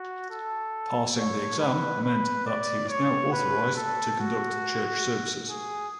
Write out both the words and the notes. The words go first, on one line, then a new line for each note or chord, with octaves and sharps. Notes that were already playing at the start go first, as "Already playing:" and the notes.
Passing the exam meant that he was now authorised to conduct church services.
Already playing: F#4
A4
C#5
B4
B4
D5
C#5
B4
A4
F#4
G#4